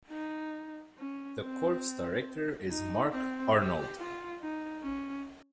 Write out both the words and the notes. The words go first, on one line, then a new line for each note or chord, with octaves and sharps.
The corps director is Mark Arnold.
D#4
C#4
C4
D#4
C4
G4
F4
D#4
C#4